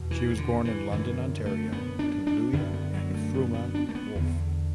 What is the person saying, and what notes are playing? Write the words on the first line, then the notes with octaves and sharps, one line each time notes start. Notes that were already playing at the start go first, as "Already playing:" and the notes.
She was born in London, Ontario, to Louis and Fruma Wolf.
Already playing: E2 B2
E3
D3
E3
F#2 D3 E3
A3
B3
D4
D4
F#2 D3 B3
B3
F#3
A3
B3
B3
D4
A3
B3
E2 D3